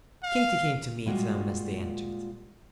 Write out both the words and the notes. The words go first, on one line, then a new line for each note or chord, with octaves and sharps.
Katy came to meet them as they entered.
F5
A#2 G3 G#3 F4 F#4